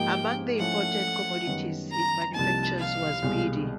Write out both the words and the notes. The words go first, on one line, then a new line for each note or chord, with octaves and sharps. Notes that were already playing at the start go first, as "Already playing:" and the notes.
Among the important commodities it manufactured was beedi.
Already playing: G#2 F3 A#3 D#4 G4 G5
F3 A3 C#4 E4 A4 F#5
F#2 D#3 G3 B3
A#5
C2 C3 F3 A#3 D#4 A5
F5
C2 B2 G#3